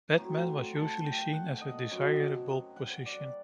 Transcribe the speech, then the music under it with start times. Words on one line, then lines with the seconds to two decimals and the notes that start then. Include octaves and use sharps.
Batman was usually seen as a desirable position.
0.17 A2 F#3 C4 A#5
0.46 C6
0.76 A5
1.05 G5
1.33 F#5
1.61 D#5
1.90 F#2 F#3 C4
2.76 F#5
3.06 D5